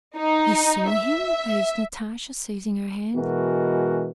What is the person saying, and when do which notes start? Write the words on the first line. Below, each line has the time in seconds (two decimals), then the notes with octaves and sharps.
"You saw him?" urged Natasha, seizing her hand.
0.18 D#4
0.90 E5
3.16 B2 E3 G#3 F#4 A#4